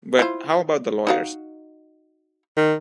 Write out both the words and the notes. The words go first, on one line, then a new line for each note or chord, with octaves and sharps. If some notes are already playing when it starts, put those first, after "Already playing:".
But how about the lawyers?
E4 F4 C5
D#4 F#4 F5
D#3